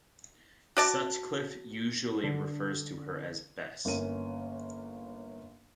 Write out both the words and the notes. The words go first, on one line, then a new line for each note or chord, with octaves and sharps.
Sutcliff usually refers to her as "Bess".
F#4 D5 A5
D3
G1 A#3 C#4 A#4 D#7